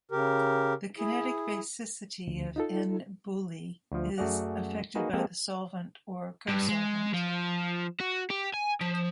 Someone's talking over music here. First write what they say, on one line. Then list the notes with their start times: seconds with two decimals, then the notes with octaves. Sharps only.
The kinetic basicity of "n"-BuLi is affected by the solvent or cosolvent.
0.11 C#3 G4 A#4
0.98 E4 G#4
2.27 D2
2.56 D#4 F4 A4
3.92 D2 F3
4.18 F#2 A3 F#4 G#4 D5 F#5
4.95 A#3 D#4 F#4 G#4 B4
5.13 G#3 A#3 C4 G4 A4
6.48 G2
6.69 G#3
7.14 F3
8.00 F#4
8.30 G4
8.54 G#5
8.81 F3